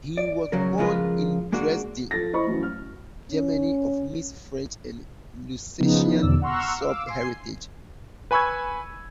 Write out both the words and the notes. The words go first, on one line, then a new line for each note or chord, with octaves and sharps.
He was born in Dresden, Germany of mixed French and Lusatian Sorb heritage.
D5
C#3 F#3 A#4
C#3 F3 G#3 F4 A#4 B4
G#3 A#3 D4 F#4
F3 A4 A6 A#6
E4 C5 D#5 B5 C#6
E3 F#3 A3 C#4
F6
C#4
C#3 F3 B3 D#4
E2 B2 D3 D5 E6
F#5 A#5 C6 C#6 E6 F6
F5 D6 E6
G#5 C6 C7
B4 G#5 B5 C#6 E6 G#6